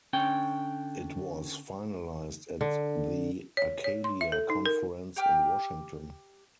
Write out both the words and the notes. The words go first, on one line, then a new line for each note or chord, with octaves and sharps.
It was finalized at the Arcadia Conference in Washington.
D3 C#4 G5
D3
C#5
C#5
C6
E5
A4
D#4
A#4
G4 G5 D6 F6